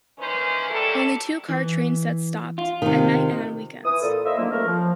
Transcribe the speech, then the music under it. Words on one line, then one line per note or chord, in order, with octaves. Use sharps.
Only two car train sets stopped, at night and on weekends.
D#3 E3 A#3 C#4 B4 C5
F#3 G3 A#3 E4 A4
E3
F4
C3 D#3
E3 D#6
A#2 A4
A#3 E4 C5 D#5 E5
D3 D#3 F3 F#3 A#3
C#2 A3 A#4
F3